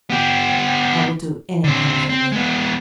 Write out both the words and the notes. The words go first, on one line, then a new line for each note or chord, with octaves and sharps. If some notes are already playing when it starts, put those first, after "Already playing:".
I will do anything for thee.'
B3 G4
D3 C4
C4
G#3 B3